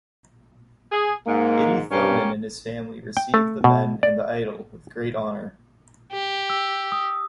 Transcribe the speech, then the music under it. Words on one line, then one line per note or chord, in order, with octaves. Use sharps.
Itty Thommen and his family received the men and the idol with great honour.
G#4
G#2 A#3
G2 A#3 C#4 G4
G5
A3
B2
D5
G4
E6
D#6